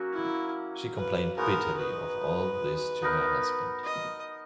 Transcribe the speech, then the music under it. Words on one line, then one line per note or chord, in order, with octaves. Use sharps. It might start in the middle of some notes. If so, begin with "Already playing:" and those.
She complained bitterly of all this to her husband.
Already playing: F#3 A#3 C#4 F#4
E4
B4
G#3 B3 D#4 F#4 A#4
B4
B3 D#4 A#4
D#5